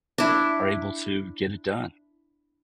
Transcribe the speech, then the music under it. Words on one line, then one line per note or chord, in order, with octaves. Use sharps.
are able to get it done.
D4 E4